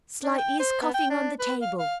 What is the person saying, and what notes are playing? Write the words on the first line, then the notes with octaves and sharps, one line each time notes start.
'Slightly is coughing on the table.'
D4
G5
C5
B3
G5
D4
B4
F5
F5